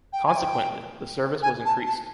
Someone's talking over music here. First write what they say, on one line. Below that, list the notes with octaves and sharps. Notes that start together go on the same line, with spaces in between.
Consequently, the service was increased.
G5
G#5
G5
G#5
A5
A5